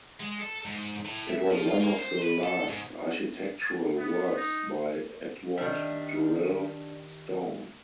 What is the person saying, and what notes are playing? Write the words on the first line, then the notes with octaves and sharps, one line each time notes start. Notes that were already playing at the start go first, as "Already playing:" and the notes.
It was one of the last architectural works by Edward Durell Stone.
G#3
A4
G#2
A2
E5
F3
F4
A#3
C5
B4
A4
G#2
B3
D#4
D#3 G3 D4 E5